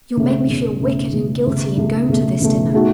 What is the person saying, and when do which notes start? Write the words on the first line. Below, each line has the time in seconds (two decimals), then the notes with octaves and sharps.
'You'll make me feel wicked and guilty in going to this dinner.'
0.17 C#2 B2 A3 C#4
0.49 C#2 B2 A3 C#4
0.81 C#2 B2 A3 C#4
1.12 C#2 B2 A3 C#4
1.45 C#2 B2 A3
1.77 C#2 B2 A3
2.09 C#2 B2 A3
2.41 C#2 B2 A3
2.73 B2 A3 D#4 F#4 A4